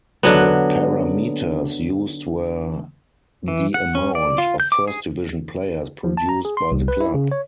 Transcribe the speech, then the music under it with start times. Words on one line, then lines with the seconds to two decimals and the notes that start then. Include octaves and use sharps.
The parameters used were the amount of first division players produced by the club.
0.23 D3 F#3 B3
3.48 E3
3.74 F#5
3.95 C#4
4.15 D5
4.38 F4
4.60 G6
4.72 D6
4.88 G#4
6.04 F3
6.17 A5
6.29 A#5
6.45 G#4
6.57 C6
6.71 C2
6.88 B4
7.00 E4
7.14 C#3
7.32 C#5